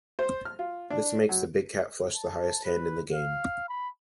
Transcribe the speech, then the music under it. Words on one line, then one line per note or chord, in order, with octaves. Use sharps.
This makes the big cat flush the highest hand in the game.
C5
F6
F4
D4
F#2
A5
B4
F5
B5